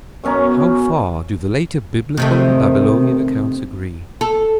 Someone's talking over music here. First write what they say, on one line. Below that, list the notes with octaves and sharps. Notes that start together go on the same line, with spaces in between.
How far do the later Biblical and Babylonian accounts agree?
F#2 B2 C#4 A#5
C3 D#3 A3
A4